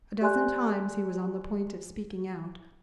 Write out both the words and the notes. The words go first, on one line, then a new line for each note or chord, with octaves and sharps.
A dozen times he was on the point of speaking out.
G4 D5 G#5 C6 F#6 G6